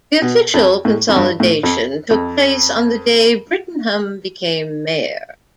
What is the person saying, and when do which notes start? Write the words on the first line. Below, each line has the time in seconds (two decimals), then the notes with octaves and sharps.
The official consolidation took place on the day Brittingham became mayor.
0.22 B2
0.54 F2
0.85 A2
1.09 F2
1.16 G2
1.40 A2
1.63 F2
2.10 F2